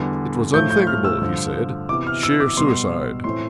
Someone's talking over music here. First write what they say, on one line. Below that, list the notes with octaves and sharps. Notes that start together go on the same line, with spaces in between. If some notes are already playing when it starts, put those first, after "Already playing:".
It was unthinkable, he said. Sheer suicide.
Already playing: E2 D3 G3 B3
A2 F3 A3 G6
G6
F6
E6
G2 D3 F3
C3 E3 B3 D6
F6
E6
D6
B2 G3 B3 C6
A2 E3 A3 C4 C6